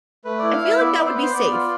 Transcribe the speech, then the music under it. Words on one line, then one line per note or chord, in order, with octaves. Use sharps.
I feel like that would be safe.
A3 B4
E4 D5
F5
E4 E5
B3 D5
B3
C5
B3 B4
C5
B3 D5
F4